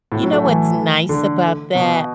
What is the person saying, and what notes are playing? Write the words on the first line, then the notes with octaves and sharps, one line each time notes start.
you know, what's nice about that?
A2
F#3
A3
E3
D3
B2